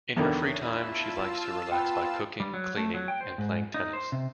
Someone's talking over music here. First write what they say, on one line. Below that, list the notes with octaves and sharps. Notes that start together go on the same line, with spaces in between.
In her free time, she likes to relax by cooking, cleaning and playing tennis.
E2 D3 D#3 B3 C#5 A#6 D#7
E4 F4 A5 E6
B3 G5
G3
F#3
A3
F#3
G5
C5
G#2
D#4
C5
C3